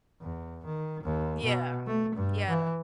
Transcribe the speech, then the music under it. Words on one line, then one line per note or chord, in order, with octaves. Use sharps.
Yeah, yeah.
E2
D#3
D#2
B2
A3
G2
E3